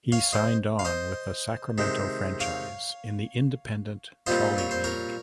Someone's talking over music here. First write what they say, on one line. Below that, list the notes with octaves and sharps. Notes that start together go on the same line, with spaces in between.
He signed on with the Sacramento franchise in the independent Trolley League.
C#5 F5
C5 D#5
F5
C5 D#5
C3 D#3 G#3
C#5 F5
A#2 G3 C4 F4 C5 D#5
C#5
C5
A#4 C#5